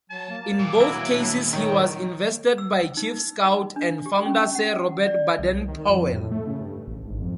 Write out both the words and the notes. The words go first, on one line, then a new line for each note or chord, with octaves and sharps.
In both cases he was invested by Chief Scout and founder Sir Robert Baden-Powell.
F#3 A5
A#3
D#2 A#2 D6
F#3 E4
D4
D#3 C#5 G5
E6
D#4
D4
G4
C#4
F#5
D5
C2
D#3
F2
A2
A3
C#3
G2
A1
G#1
F2